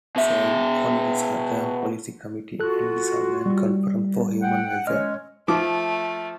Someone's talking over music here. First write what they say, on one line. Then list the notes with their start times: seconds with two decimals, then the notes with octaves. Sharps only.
He served on the Southern Policy Committee and the Southern Conference for Human Welfare.
0.16 B2 E5
2.60 F4 F#4 A4 F#6
3.46 G3
4.42 F#5 G5
4.87 G#3 C#4 C#5 D#5 F6
5.48 F3 A3 D6